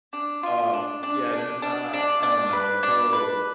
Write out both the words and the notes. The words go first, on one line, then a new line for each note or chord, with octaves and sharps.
um, yeah, just not I don't know, the whole
D4
F4
D4
D4
D4
D4
D4
D4
B4
D4
B4